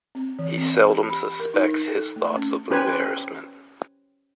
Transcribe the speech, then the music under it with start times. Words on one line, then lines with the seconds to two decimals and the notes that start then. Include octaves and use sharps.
He seldom suspects his thoughts of embarrassment.
0.15 C4
0.39 E3
0.58 C4
0.89 G4
1.10 B5
1.40 A#4
1.54 D#4
1.88 A4
2.16 A3
2.36 C#4
2.71 C#4 G4 B4 C5 G#5 B5